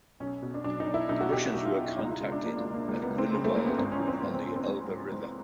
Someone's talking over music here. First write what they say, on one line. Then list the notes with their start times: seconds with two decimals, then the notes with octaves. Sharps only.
The Russians were contacted at Grunewald on the Elbe River.
0.20 B1 C#4
0.42 B2
0.54 D4
0.64 B1 D4
0.80 D#4
0.87 B1
0.94 E4
1.09 B1 D#4
1.21 F#4
1.32 B2 G4
1.54 B1 F#4
1.65 F4
1.76 B2
1.88 E4
1.99 C#2 D#4
2.04 F4
2.10 E4
2.21 C#3 F4
2.32 D4
2.43 F3 A#3
2.59 A#3
2.65 C#2
2.74 A#3
2.88 C#2 A#3
3.03 B3
3.10 C#2
3.18 C4
3.33 C#3
3.44 A3
3.55 C#2 A#3
3.66 B3
3.78 G#1 C4
3.92 C#4
4.00 E3
4.07 C4
4.22 G#1 B3
4.34 C4
4.44 G#1 C#4
4.56 C4
4.67 G#2 C4
4.89 G#2
5.12 G#2